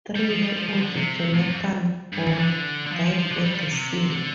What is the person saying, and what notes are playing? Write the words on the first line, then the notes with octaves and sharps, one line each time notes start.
Three-year-old Johnathan Ball died at the scene.
G3
F3
G3
F3
F3
D3
C3
A2
F2
G2
F2
D3
D3
F3
F3
F3
D3
G3
G3
F3
C3
D3